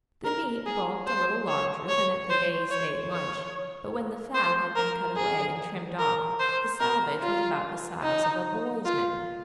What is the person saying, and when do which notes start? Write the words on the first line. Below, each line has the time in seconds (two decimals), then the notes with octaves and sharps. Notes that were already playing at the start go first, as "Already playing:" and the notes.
The meat bulked a little larger than at the Bay State Lunch, but when the fat had been cut away and trimmed off the salvage was about the size of a boy's mitten.
0.25 A#4
0.66 G#4
1.07 C5
1.48 C#5
1.89 C#5
2.30 C5
2.71 C#5
3.11 C#5
4.34 C5
4.76 A#4
5.16 G#4
5.99 A#4
6.40 C5
6.80 A#4
7.21 F4
8.03 D#4
8.85 F4